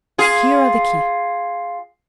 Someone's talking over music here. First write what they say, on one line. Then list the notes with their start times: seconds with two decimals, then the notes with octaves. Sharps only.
Here are the keys.
0.18 F4 G#4